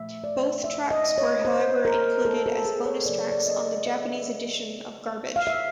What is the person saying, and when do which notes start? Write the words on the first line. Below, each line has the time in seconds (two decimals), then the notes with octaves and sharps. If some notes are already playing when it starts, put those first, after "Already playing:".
Both tracks were however included as bonus tracks on the Japanese edition of "Garbage".
Already playing: A#2 F3 A3 E5
0.24 D5
0.64 E5
0.91 D#5
1.18 C#5
1.45 C5
1.85 A#4
2.25 A4
2.46 A4
2.65 G#4
2.86 C#5
3.06 C#3 F#3 A#3 D5
3.18 C#5
3.32 D5
3.46 D#5
3.86 E5
5.36 F5
5.47 E5